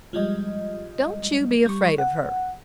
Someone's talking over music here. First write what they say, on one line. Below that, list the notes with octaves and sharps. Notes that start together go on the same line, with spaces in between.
Don't you be afraid of her.
F3 G3 G#3 D#5
G3 C#6
F#5